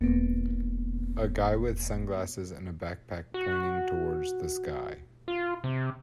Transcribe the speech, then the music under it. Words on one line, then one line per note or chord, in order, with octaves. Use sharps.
A guy with sunglasses and a backpack pointing towards the sky.
E1 A#3 B3
F#4
F4
C3